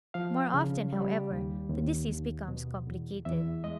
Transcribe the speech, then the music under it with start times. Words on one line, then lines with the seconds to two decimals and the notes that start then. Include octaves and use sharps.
More often, however, the disease becomes complicated.
0.14 F3 F5
0.54 C#3
0.93 G3
1.31 D#2
1.70 D#2
2.08 D#2
2.48 B2
2.87 E2
3.25 E2 E5
3.64 G#3 D#5